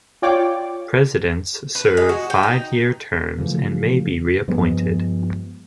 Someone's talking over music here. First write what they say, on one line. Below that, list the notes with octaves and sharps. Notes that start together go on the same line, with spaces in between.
Presidents serve five-year terms and may be reappointed.
F4 C#5 D5 G5 D6
B4
G#3
F#4
G5
D#4
C#3 E3 F3 A3
G2 F3 G#3 B3